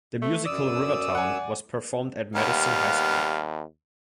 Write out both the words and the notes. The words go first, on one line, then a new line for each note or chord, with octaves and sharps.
The musical, "Rivertown", was performed at Madison High School.
A3
F#2 D5 D#6 E6
F#5 G#5
D#2 G3 B3 F5